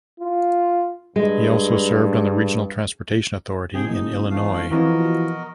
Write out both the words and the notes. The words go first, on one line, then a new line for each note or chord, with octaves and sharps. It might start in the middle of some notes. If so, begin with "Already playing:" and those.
He also served on the Regional Transportation Authority in Illinois.
F4
G2 G#3
C3 G#4 G5
F#1 D#4
E1 A3 F5
F2 E3 F3 F#4 A#4 D#5
B2